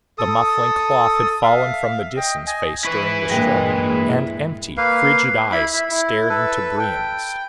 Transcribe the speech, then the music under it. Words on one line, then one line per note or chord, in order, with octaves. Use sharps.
The muffling cloth had fallen from the Disan's face during the struggle, and empty, frigid eyes stared into Brion's.
A4 D#6
E5 F5
D#5 G5
D#5 G#5
E4 B4 C#6
G2 A#2 G#3 A#3 G5 A#6
A#3 B4 F5
E4 B5
E5
E4
A4 B4
G5